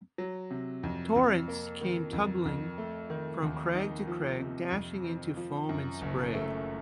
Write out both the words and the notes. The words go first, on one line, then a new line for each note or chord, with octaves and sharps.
Torrents came tumbling from crag to crag, dashing into foam and spray.
F#3
C3
F2
F2
A#3
D#3
F2
F2
A3
D#3
D#2
D#4
F3
C3
F2
C4
F3
F#2
F#1
A3